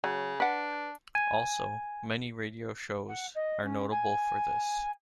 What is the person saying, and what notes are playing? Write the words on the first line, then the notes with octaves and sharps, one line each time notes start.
Also, many radio shows, are notable for this.
C#3 F#3
D4 B4 F#5
G#5
F#5
D#5
C#4
G#5